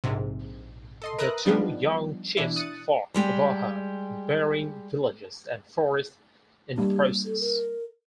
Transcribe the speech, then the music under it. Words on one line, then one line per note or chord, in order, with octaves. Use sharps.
The two young chiefs fought over her, burying villages and forests in the process.
A#1 G#2 C3
A4 D#5 C6
A#4 B4 E5 A#5 D#6 F#6
F3 G3 B3 D4 D#4
B2 E3 D4 E4
D#6 F#6 A6 C#7 D#7
G3 G#3 G4
G3 A#3 D4 G4
A4
A#4